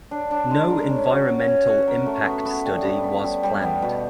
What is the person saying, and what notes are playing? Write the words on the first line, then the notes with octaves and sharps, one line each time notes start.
No environmental impact study was planned.
D4
D4
G#3
A#4
C#4
F#4
C#4
C#4
F#4
A#4
A3
B3
B3
G3
G3
B3
G3
G3
B3
B2